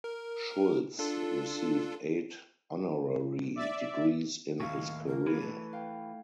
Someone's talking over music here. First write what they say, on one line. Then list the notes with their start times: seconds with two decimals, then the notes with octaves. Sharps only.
Schultz received eight honorary degrees in his career.
0.04 A#4
0.99 D4 F4 A4
3.56 D5 E5
4.60 D#2 A2 F5 C#6
5.06 A#3
5.26 E3 G#6
5.41 A3 B4
5.73 F5 G5